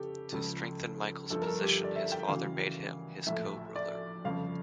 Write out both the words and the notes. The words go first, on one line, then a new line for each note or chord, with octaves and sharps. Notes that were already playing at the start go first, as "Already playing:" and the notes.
To strengthen Michael's position, his father made him his co-ruler.
Already playing: F1 C#3 G4 A4
C#2 C#3 F3 A4
G1 G2 D3 F3 A4
A#4
A4
G4
D5
E5
G5
D2 C#3 E3 F5
A#1 A2 F3 E5
D5
G1 F2 C#3 F3 F5